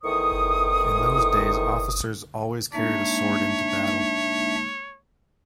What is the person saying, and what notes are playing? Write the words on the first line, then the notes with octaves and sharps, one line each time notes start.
In those days officers always carried a sword into battle.
E2 A2 D#3 C5 C#6 D#6
G#3 A#3 D4 D#4 C#5 E5